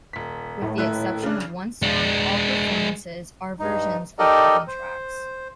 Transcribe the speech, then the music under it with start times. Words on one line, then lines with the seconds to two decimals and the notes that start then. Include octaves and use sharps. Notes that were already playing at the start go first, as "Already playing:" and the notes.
With the exception of one song, all performances are versions of album tracks.
0.13 D#1 B6
0.62 A2
0.78 D#1 E4 F#6
1.23 C#3 D4
1.82 G#3 D4
3.59 G2 D#4
4.19 D#4 G4 A4 A#4 D5 D#5
4.68 C5